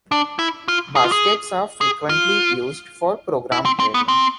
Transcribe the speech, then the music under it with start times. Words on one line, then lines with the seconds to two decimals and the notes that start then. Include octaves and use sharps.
Baskets are frequently used for program trading.
0.12 D4
0.39 E4
0.68 F4
0.96 G#4
1.04 F4
1.12 G#4
1.81 G#4
2.09 F4
3.52 E4
3.65 C4
3.80 C4
3.94 B3
4.08 C4